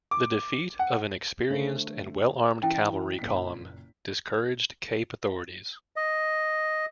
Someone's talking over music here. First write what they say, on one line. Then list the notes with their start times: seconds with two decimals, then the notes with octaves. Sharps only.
The defeat of an experienced and well-armed cavalry column discouraged Cape authorities.
0.11 D6
0.79 F#5
1.50 D3 A3 C5
2.63 E3 C#4 E4 G5
3.19 F#1 A#2 B6
5.96 D#5